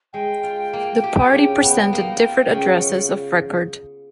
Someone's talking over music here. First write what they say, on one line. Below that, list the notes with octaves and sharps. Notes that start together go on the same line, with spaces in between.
The party presented different addresses of record.
G#3 G5
F4
A#3
G4
C#3
B3
A#3
F4
C#3 G5
F#5